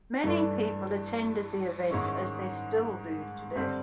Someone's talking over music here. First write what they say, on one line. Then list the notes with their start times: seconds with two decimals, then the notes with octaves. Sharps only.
Many people attended the event, as they still do today.
0.24 G2 E3 A3 D4
1.90 G#2 D#3 G#3 C#4 E4
3.56 G2 D3 G3 C4